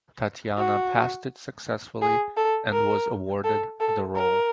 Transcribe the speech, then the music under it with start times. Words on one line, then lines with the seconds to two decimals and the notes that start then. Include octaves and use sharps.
Tatyana passed it successfully and was awarded the role.
0.58 F#4
2.01 G#4
2.37 A4
2.73 A#4
3.44 A4
3.80 A4
4.15 A#4